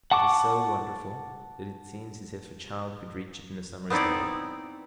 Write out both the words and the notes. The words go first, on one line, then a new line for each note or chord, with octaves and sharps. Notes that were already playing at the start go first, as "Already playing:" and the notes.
It is so wonderful that it seems as if a child could reach it in a summer's day.
F#5 A5 C#6 D6
B3 C4 D#4 E4 D5